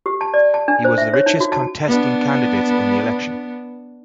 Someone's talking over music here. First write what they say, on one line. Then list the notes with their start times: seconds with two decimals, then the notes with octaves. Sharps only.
He was the richest contesting candidate in the election.
0.06 G4
0.21 A5
0.34 D5
0.54 A5
0.68 D4
0.84 C5
0.98 E5
1.14 C#5
1.26 D#4
1.40 F#4
1.52 A5
1.87 B3 D4